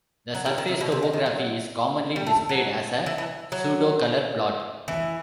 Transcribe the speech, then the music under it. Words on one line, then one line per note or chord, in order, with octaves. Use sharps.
The surface topography is commonly displayed as a pseudocolor plot.
F#3
G3
D#3
C3
B2
C3
D#3
D#3
F#3
G3
A3
F#3
E3
E3
F#3
E3